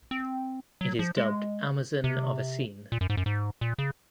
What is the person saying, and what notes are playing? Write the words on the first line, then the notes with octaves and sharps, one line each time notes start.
It is dubbed "Amazon of Asean".
C4
F#3
F3
G#3
C3
A#2
F#2
G#2
F#2
G#2
A#2
C#3